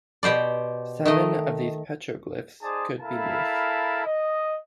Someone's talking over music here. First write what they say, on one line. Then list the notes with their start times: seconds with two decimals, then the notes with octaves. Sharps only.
Seven of these petroglyphs could be moose.
0.23 B2 G4 C5 D5
1.05 D#3 A3 D#5
2.63 D#4 G#4 C5 D5 A5 D#6
3.01 E4 A4 A#4 F5 A5 B5
4.05 D#5